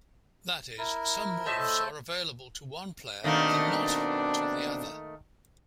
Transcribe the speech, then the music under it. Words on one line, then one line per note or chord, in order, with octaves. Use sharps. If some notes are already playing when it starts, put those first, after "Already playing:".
That is, some moves are available to one player and not to the other.
E4 A#4
A2 A3 C5 D#5 E5 A5
B2 D#3 A3 A#3 C4 D4